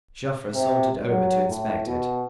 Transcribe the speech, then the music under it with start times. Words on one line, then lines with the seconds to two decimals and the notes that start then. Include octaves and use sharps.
Joffre sauntered over to inspect it.
0.54 C3
1.06 F#3
1.49 A2
1.86 B2